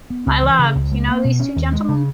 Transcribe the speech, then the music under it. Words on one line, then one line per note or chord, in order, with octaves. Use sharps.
My love, you know these two gentlemen?
B3
C#2
E3
C#3
C#2
C#2
A#3
B2
C#4
D#2
G#3
C#3